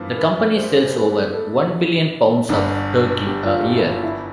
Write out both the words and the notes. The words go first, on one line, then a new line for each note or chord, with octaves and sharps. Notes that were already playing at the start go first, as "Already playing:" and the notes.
The company sells over one billion pounds of turkey a year.
Already playing: G2 E3 B3 F4 C5
B4
C5
C5
B4
A4
G1 G2 D3
G4
F4
G4
E4
F4
E4